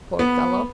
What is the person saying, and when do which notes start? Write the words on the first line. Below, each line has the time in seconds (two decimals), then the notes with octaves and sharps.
Poor fellow!
0.19 B3